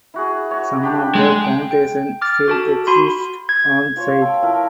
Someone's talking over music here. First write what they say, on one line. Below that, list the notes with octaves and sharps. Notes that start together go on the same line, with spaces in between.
Some of the foundations still exist onsite.
E4 F#4 G#4
F#4 C#5
D4 G4 B5
G#3 A4 F#5 G5
G5
G5
D6 F6 A6
F#4 A4 A5
F#4 B5 C6
G#6
F4 C5 C#5
A4 F5 G5
F3 E4 A#4